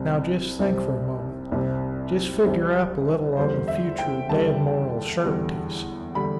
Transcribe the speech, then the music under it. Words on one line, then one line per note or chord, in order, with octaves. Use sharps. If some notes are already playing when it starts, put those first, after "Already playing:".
Now just think for a moment--just figure up a little on the future dead moral certainties.
Already playing: C2 C3 G3 C4
C2 C3 G3 C4
C2 C3 G3 C4
C2 C3 G3 C4
E2 D3 G3 C5
E5
G5
E2 D3 G3 A5
E2 D3 G3
D3 G3 B5